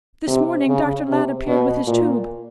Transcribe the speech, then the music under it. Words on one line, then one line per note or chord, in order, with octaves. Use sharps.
This morning Dr. Ladd appeared with his tube.
C3
C#3
C3
B2
A#2